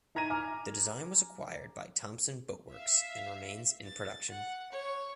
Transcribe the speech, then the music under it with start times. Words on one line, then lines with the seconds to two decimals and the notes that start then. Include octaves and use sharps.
The design was acquired by Thompson Boatworks and remains in production.
0.15 D#4 E4 A#5 G#6 A#6 D#7
0.30 G#5 A#5 D6 F6
2.71 E5 F5
3.86 A6
4.30 F#5
4.72 C#5